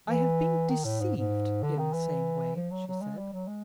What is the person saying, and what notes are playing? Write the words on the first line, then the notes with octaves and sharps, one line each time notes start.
"I have been deceived in the same way," she said.
E3
D#3
A2
G#2
G#2
D3
D#3
E3
F3
F#3
F#3
G#3
G3
F#3
G#3